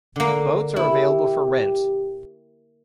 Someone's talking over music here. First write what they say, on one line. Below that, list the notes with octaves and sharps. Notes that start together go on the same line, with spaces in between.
Boats are available for rent.
D3 A#3
E4 G4